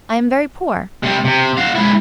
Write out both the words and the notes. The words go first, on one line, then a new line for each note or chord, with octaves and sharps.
I am very poor.
C3 G3
C3
F#4 F5
G#3 E4